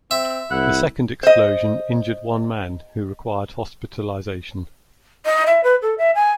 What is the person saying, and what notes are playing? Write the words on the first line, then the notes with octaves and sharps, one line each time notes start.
The second explosion injured one man, who required hospitalization.
C4 E5
C2 E4 F#5
C5 D#5
D#5
E5
B4
A4
E5
G#5